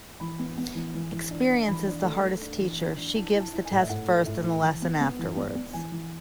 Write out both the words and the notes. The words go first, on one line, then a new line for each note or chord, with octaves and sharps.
Experience is the hardest teacher. She gives the test first and the lesson afterwards.
E3 B5
B3
B3
E3
E3
E3
D4
D4
E3 B5
D4
A3
A3
D4
E3
D4
D4
E4 A5
E4
A5
E4
G#5
A2 D5
E5
A2 F#5
A3
A2 E5
E4
E3
B3
B3
E3
B3 D5
B3
E3 G#5
E3